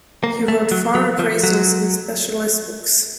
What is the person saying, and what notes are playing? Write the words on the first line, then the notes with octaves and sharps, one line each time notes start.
He wrote far appraisals and specialized books.
A#3
A3
F#3
F#3
F3
F#3